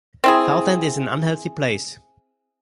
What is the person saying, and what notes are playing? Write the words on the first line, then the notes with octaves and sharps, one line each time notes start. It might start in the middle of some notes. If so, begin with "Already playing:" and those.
South End is an unhealthy place.
C4 E4 G#4